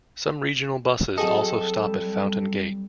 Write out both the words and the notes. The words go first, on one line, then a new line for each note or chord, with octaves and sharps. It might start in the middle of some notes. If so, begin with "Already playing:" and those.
Some regional buses also stop at Fountain Gate.
F#3 C4 F#4 G#4 A4 D#5
G3